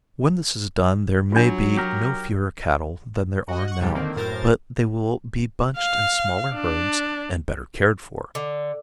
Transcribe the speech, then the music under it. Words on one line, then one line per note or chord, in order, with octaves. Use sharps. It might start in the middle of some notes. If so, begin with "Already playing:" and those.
When this is done there may be no fewer cattle than there are now but they will be bunched in smaller herds and better cared for.
F#3 D4 F4
G4 A#4
F#4 D#5
F#5 C#6
D2 G#2 B2 G3
D3 D#3 A#3 C4
F#2 A2 A#4 C5 A6
F5
D4
D3